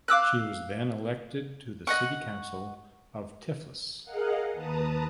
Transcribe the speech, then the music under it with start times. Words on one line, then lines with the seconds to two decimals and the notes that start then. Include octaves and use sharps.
She was then elected to the city council of Tiflis.
0.08 F5 D6 E6 F#6
1.87 D#5 F#5 C#6
4.04 G#4 A#4 D#5 F5 F#5
4.53 D#2 B4 A5 A#5 D#6